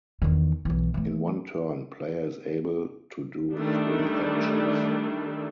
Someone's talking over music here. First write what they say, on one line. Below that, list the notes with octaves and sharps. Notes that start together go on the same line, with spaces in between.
In one turn, player is able to do three actions.
E2 D#3
B1 E3
E3 A3
D#3 G3 A3 D4 A4